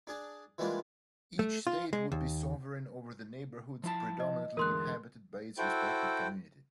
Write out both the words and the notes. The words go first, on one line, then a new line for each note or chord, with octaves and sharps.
Each state would be sovereign over the neighborhoods predominately inhabited by its respective community.
D4 G#4 A5
E3 G3 G#3 A#3 D4 F4
A3
F4
G#3
D#2
F3 E4 A5
D#5
E2 D3 G#3 A#4 C6 F#6
E4 F#4 A4 C5 G5